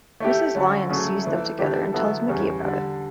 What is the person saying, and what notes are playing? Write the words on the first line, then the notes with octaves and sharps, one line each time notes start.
Mrs Lyons sees them together and tells Mickey about it.
A3 E4 G4
D3 F#3 C#4
C#3 F#3 A3 C#4
E3 A3 E4
E3 A3 D4 G4
D3 F#3 B3 E4 A4
E2 C#3 G3 C#4
D3 G3 D4